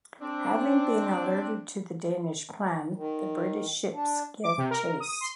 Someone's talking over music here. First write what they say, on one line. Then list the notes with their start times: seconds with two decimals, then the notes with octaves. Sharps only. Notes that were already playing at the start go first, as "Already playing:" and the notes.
Having been alerted to the Danish plan, the British ships give chase.
0.21 C4 D4
2.95 D#3
3.94 D4
4.43 D6
4.58 C3
4.71 A#4
4.85 A#4
5.00 D#6
5.21 C6